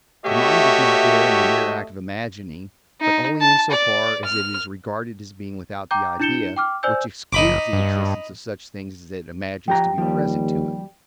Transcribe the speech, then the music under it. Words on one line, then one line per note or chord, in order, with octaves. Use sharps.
The mind does not err in the mere act of imagining, but only in so far as it is regarded as being without the idea, which excludes the existence of such things as it imagines to be present to it.
A3 F#4 G4 C#5 D#5 E5
D#4
A5
D5
F6
G5 A#5 D6 G6
D4 E4 G6 C#7 E7 G7
G5 D6 F6
C5 D5 G#5 E6 G6
F#1 D#4 B5 D6
G2
F3 G4 G5 A#5
D#2 F3 G3